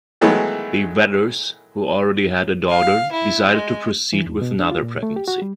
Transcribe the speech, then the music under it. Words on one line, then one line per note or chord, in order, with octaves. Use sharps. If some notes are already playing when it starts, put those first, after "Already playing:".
The Vetters, who already had a daughter, decided to proceed with another pregnancy.
D#3 E3 F#3 G#3 A3 B3
F5
E4
G#3
E3
E2
B2
D4
F4
A#2
A3
G4
F#4
G3